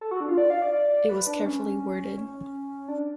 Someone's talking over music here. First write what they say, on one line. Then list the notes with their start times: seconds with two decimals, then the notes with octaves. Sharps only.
It was carefully worded.
0.01 A4
0.11 F#4
0.20 D4
0.29 F4
0.38 D5
0.50 F5
0.62 D5
0.73 D5
1.09 B4
1.27 D4
1.45 C#4
2.18 C#4
2.88 D4